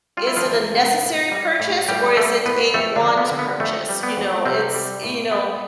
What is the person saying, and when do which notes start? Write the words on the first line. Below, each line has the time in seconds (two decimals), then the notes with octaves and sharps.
is it a necessary purchase, or is it a want purchase, you know, it's, you know
0.17 G3 F4
0.27 E4
0.37 F3 F4
0.46 E2
0.74 C3
1.03 A2
1.31 G3
1.60 A2
1.88 A2 G3 G4
2.17 G3 A3 A4
2.46 A2 B3 B4
2.74 F2 A3 A4
2.96 D3 D4
3.03 F2
3.17 B3
3.31 D3
3.39 B3
3.60 F2 A3
3.89 G3
4.03 B3
4.17 F2
4.45 C3 G3 C4
4.74 G3
5.03 A2
5.31 G3 B3